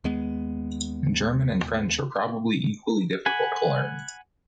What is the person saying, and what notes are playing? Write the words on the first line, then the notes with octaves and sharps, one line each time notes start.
German and French are probably equally difficult to learn.
D#2 G#3 B3
F#5 G#5 B5